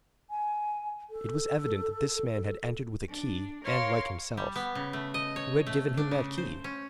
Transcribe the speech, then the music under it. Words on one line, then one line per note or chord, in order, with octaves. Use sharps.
It was evident that this man had entered with a key, and like himself. Who had given him that key?
G#5
A4
D4
A#4 C#5 F5 C6
G3
B3
C#3
A3
D#5
C#5
A3
D4
C#3
C5
C#4